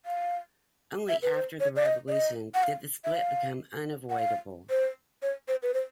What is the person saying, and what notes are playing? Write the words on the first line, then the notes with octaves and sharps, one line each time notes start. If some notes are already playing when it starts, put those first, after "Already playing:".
Only after the revolution did the split become unavoidable.
F5
E5
B4
C5
C#5
D5
D#5
D5
D#5
F#5
F5
E5
F5
F#5
F5
C5
C#5
C5
B4
C5